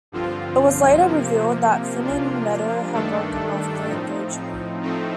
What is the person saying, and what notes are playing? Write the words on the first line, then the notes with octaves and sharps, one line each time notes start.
It was later revealed that Finn and Meadow had broken off the engagement.
G2 D3 F3 C4 F4
C3 F3 A#3
C3 F3 A#3 D4 F4
G2 D#3 A3 D4 A4
A2 F3 C4 D#4
A2 F3 A3 C4 D#4